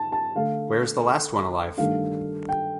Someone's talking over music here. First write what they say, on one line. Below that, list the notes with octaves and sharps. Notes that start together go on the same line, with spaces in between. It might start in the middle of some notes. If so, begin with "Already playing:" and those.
Where’s the last one alive?
Already playing: A5
A5
D3 A3 D4 F5
G2 D#3 A3 D4 F5
G5